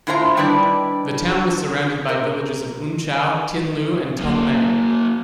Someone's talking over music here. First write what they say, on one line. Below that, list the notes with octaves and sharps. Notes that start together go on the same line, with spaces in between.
The town was surrounded by villages of Un Chau, Tin Liu and Tong Mei.
A2 E4 F4 C5 F5 A#5
D#3 G3 D4 E4 B4 D5
A#4
F#2 A#3